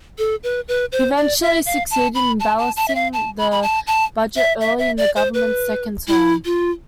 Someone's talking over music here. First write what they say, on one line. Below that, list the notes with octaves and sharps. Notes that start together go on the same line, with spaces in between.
He eventually succeeded in balancing the budget early in the government's second term.
A4
B4
B4
C5
D5
E5
F5
A5
B5
A5
A5
A5
E5
F5
A5
B5
B5
A5
A5
E5
E5
E5
D5
C5
B4
E4
F4